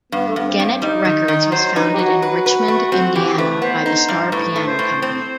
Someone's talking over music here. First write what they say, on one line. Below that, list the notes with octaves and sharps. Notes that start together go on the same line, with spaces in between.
Gennett Records was founded in Richmond, Indiana, by the Starr Piano Company.
G2 B3
A3
G2 B3
C4
G2
G3 D#4
D#3
D#3
F#3 C5
D#4 B4
G4
F#3 F#4
F#4 B4
B4
A3
C4 F#4
E3 G4
A3 B4
B3 C5
D#4
G2
A2 B4
A3
C5
A2
C4 C5